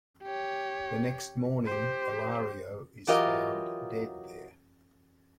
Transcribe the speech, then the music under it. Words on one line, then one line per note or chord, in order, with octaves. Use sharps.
The next morning Ilario is found dead there.
G4 C#5
G4 C5
E3 F#3 F4 G4 A#4 D#5